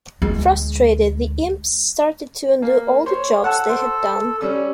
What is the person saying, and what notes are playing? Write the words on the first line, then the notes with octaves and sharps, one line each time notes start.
Frustrated the imps started to undo all the jobs they had done.
D2 G#3
A#3
C5 C#5
A4 F#5 A5
C5
G3 C#4 E6